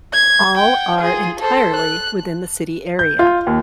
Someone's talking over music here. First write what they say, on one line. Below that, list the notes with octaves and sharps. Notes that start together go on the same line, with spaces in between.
All are entirely within the city area.
G#6
F#5 G5
F4 G#4
A4 C5
F#6
G6
F4
D#2